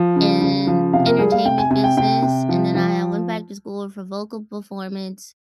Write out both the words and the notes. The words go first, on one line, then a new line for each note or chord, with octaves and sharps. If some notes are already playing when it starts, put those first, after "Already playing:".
and entertainment business, and then I, uh, went back to school for vocal performance.
Already playing: F3
C#3
C#3
F3
C3 F5
A#4
G3 G#4
F5
C3 G5
G#5
C3 G#5
G5
C3 G5
C3
F3
F3